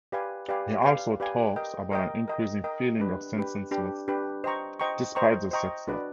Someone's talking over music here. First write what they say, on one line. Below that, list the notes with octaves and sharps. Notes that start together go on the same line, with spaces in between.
He also talks about an increasing feeling of senselessness despite the success.
G4 B4 D5 F5 G#5
G4 B4 D5 F5 G#5
G4 B4 D5 F5 G#5
G4 B4 D5 F5 G#5
A#4 D#5 G5
A#4 D#5 G5
A#4 D#5 G5
A#4 D#5 G5
D4 G4 B4
D4 G4 B4
D4 G4 B4
D4 G4 B4
C5 D#5 G5 A#5 C#6
C5 D#5 G5 A#5 C#6
C5 D#5 G5 A#5 C#6
C5 D#5 G5 A#5 C#6
D4 F#4 B4 D5